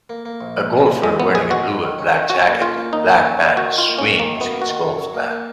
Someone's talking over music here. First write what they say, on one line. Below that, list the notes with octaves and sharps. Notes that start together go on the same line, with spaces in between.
A golfer wearing a blue and black jacket and black pants swings his golf club.
A#3
A#3
A#1
A#1
G#2
F3
F3 G#3
A#1 B3
G#3 G#4
G#2 F#4
F4
D#3
C#4
D#3
C#4 F#4
A#3
C#4 F4
A#3
D#2 D#4
A#3
C#4
D#2
D#3 F#4
D#3
F4
A#3
C#4
D#2
D#3 A#3
F#2
B3
A#3
F#4
D#3
F#2
F#3
A#3
A#3